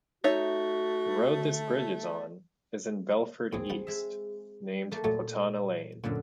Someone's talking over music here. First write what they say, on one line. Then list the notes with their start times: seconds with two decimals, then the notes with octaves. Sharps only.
The road this bridge is on, is in Belford East, named Pothana Lane.
0.24 A3 D#4 F#4 C#5 E5
3.53 D#2 G#2 C4 G#4
3.70 G3 F#5
3.87 G#3 E5
4.91 A3 A#3
5.04 A#2 F#3 A3
6.04 F#2 A#2 D3 F#3